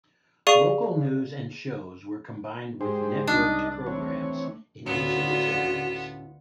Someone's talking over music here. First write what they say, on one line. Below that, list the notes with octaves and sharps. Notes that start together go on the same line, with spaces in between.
Local news and shows were combined with networked programmes in each of its areas.
G#4 D5 F5 C#6 D#7 G7
G#2 G#3 G4 G#4 C5
C2 D4 D#4 D#5
E3 A3 C4 C#5
D2 A2 B3 C#4 F4 F#4